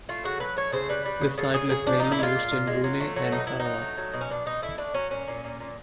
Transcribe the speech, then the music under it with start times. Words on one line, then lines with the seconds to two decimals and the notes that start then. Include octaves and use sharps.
This title is mainly used in Brunei and Sarawak.
0.09 A3 F4
0.24 C#3 F#4
0.40 F#3 B4
0.56 A3 C#5
0.73 C#3 C5
0.89 G3 B4
1.05 G3
1.21 C#3
1.38 C#3 A4
1.54 C#3 G#4
1.70 C#3 G#4
1.87 F3 D4
1.99 A#2 D#4
2.12 E4
2.19 G#3 F4
2.35 A#2
2.51 A#2
2.67 G#3
2.84 F#3
3.01 A3
3.16 F#3
3.32 B2 D#4
3.47 F#3 E4
3.60 D#4
3.65 F#3
3.82 A3
3.98 F#3
4.14 B2
4.21 C#4
4.30 B2 D4
4.46 B2 D#4
4.62 A3 E4
4.78 A3 D4
4.94 F#3 C#4
5.11 A#2 C#4
5.28 A#2
5.44 A#2
5.60 A#2